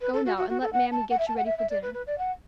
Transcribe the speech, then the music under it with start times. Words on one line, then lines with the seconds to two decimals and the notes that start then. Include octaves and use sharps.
"Go now and let mammy get you ready for dinner."
0.01 B4
0.13 A4
0.25 F#4
0.37 F#4
0.49 F#4
0.62 A4
0.73 F#5
0.92 A5
1.10 F#5
1.19 E5
1.28 A5
1.37 F#5
1.46 E5
1.58 E5
1.70 D5
1.82 B4
1.94 B4
2.07 D5
2.18 F#5